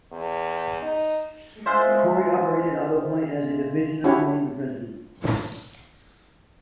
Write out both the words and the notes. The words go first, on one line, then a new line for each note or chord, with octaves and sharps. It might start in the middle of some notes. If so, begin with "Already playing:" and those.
Cory operated Autopoint as a division appointing the president.
E2
D#4
G#3 F4 C5 E5
C#4 D4 E4 F#4 G4 C#5